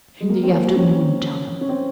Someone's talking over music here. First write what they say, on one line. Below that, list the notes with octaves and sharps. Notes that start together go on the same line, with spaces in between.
'In the afternoon, tell them.
G#3
A#3
C4
A#3
C#4
C#4
C4